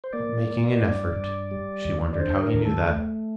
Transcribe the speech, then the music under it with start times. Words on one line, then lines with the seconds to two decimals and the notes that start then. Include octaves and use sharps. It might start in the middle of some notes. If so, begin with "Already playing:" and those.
"Not making an effort ..." she wondered how he knew that.
0.04 C5
0.13 A#3 D5
0.47 A#3
0.82 G2
1.16 G2
1.51 G3
1.85 D#2
2.13 D5
2.20 D3 C5
2.42 A#4
2.54 D#2
2.65 A4
2.89 A3